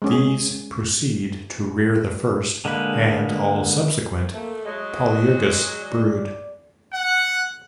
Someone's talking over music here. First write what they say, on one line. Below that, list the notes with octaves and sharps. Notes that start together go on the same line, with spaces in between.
These proceed to rear the first and all subsequent "Polyergus" brood.
G#3 C#4 G#4
D3 G#3 A#3 B4
A3 A#3
F#3 G#3 D#5
D5
F#5